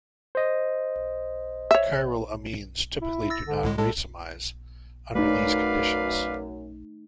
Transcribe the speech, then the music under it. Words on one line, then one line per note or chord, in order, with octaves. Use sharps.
Chiral amines typically do not racemize under these conditions.
C5 D#5
C#5 E5
E4
E6 A6 A#6
D3
C2 A2 G#3
A2 G#3 A4
F#2 A3 D#4 B4 D5 F5